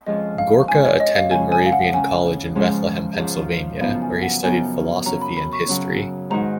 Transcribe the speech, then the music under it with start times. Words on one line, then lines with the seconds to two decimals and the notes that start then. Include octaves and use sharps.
Gorka attended Moravian College in Bethlehem, Pennsylvania, where he studied philosophy and history.
0.06 F2 F3 G#3 C#4 F4 D#5
0.38 F5
0.68 F2 F3 G#3 C#4 F4 G#5
0.85 C#5
1.00 D#5
1.15 F5
1.31 C#3 G#3 C#4 G#5
1.52 G#5
1.66 F5
1.72 F#5
1.93 C#3 G#3 C#4 G#5
2.55 G#2 F3 G#3 C#4 F4
3.17 G#2 F3 G#3 C#4 F4
3.80 F#2 C#3 F3 B3 D#4 F5
4.02 G#5
4.22 F#5
4.43 F#2 C#3 F3 B3 D#4 G#5
5.05 C#3 F#3 C#4 A#5
5.22 B5
5.37 B5
5.53 C#6
5.68 C#3 F#3 C#4
6.30 G#2 D#3 G#3 D#4 F#4 A#5